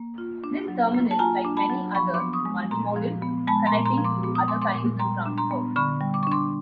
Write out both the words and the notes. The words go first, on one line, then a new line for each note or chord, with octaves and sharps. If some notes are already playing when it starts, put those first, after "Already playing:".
This terminal, like many others, is multimodal, connecting to other kinds of transport.
Already playing: A#3
F4
D4
F#3
A#3
A5
F4 G#5 A#5
D4
A5 B5
F#3
F3 B5 C#6
C6 D6
B3
C#6 D#6
G#3
A#2 A#5 C6
F3
B3
G#3 A5 B5
A#5 C6
A#2
A#5 C6
F3
C6 D6
B3 D6
D#6
G#3 C6 D6
C6 D6
A#2
G3 A#5 C6
D4
A#5 C6
B3
D3 B5 C#6
G3
D6
C#6
D4 C6 D6